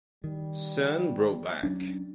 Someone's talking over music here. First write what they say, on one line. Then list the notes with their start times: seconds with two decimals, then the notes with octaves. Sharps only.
Sam Brownback.
0.24 D#3 G3
1.63 F#3 C#4 D4